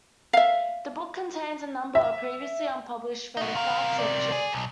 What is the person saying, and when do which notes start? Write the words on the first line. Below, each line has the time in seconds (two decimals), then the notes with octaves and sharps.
The book contains a number of previously unpublished photographs of Chick.
0.33 E5 F5
1.95 E5
3.37 D#4 F#4
3.55 C3 A#4 F5
3.98 D5
4.32 G#4
4.52 B1